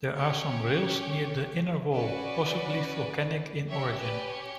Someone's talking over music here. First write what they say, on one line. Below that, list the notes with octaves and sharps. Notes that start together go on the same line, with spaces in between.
There are some rilles near the inner wall, possibly volcanic in origin.
C#4 G4 C#5
C#4 F#4 B4 D5
C#4 G4 C#5 E5
B4 D5
C#5